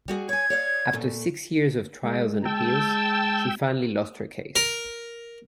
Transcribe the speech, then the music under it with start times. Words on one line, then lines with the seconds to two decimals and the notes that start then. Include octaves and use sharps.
After six years of trials and appeals, she finally lost her case.
0.08 G3 F#4 G#4
0.29 C#5 G#5 G#6
0.50 C#5 D5 F5
0.93 A#2 A3
2.03 G#3
2.45 G5 A5 E6
4.56 A#4